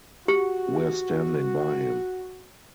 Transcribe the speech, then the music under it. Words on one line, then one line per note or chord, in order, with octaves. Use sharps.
We're standing by him.
F#4 G4